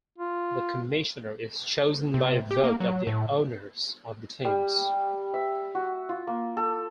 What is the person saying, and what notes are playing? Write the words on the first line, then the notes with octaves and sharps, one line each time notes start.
The commissioner is chosen by a vote of the owners of the teams.
F4
C3
G4
A#3
F#3
A2
G3
E5
F#4
F4
A#3
A4